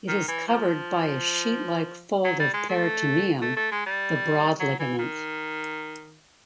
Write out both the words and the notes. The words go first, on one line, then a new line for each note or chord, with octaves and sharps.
It is covered by a sheet-like fold of peritoneum, the broad ligament.
D#3
E3
F3
F#3
G3
G#3
A3
A3
A3
G#3
G3
F#3
E3
D#3